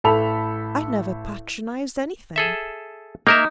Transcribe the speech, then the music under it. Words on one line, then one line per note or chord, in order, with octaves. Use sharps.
I never patronised anything.
A1 A4 B5 F7
G#4 A4 E5
A#3 D#4 A#4 E5